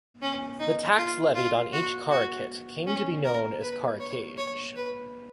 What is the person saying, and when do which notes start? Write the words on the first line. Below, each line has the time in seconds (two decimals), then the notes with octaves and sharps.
The tax levied on each carucate came to be known as "carucage".
0.22 C#4
0.59 D#4
0.97 F4
1.35 F4
1.73 F#4
2.11 F#4
2.86 C#4
3.24 A#4
3.62 B4
4.00 C#5
4.38 C#5
4.76 B4